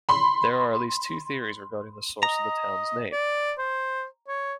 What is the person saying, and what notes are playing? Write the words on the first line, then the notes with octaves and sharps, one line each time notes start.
There are at least two theories regarding the source of the town's name.
B5 C6
D#5 A#5
D5
C5
C#5